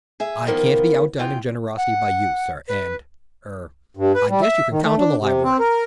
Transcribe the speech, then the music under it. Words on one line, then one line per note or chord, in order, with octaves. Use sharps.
I can't be outdone in generosity by you, sir, and--er-- I guess you can count on the library.
G#4 E5
D#3 F3 A#3 B3
E2 F4 G5
F#5
B4
G2
B4
G3
E5
D#3
A3
D4
C3
C4
A#4